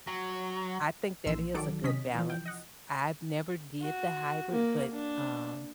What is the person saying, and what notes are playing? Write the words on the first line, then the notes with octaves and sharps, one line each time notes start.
I think that is a good balance. I've never did the hybrid, but, um,
F#3
A#1 E3 C6 E6
D#3 F#3 A4 D5 D7
C3 C#4 D#5 B6
E3 F3
G5
D#5 F#5
F#4
A#3
D4